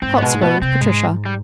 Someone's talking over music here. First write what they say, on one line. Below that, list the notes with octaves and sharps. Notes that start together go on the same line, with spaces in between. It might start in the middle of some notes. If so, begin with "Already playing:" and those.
Cotswold Patricia.
G#2 C4
B3
B2 G#3
G#2
B2 B3
C3 C4
G#2 G#3
G3